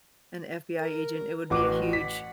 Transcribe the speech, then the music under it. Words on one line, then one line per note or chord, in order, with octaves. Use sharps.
an FBI agent, it would be a huge.
A#4
A1 F#4 B4 D6
F#5 B6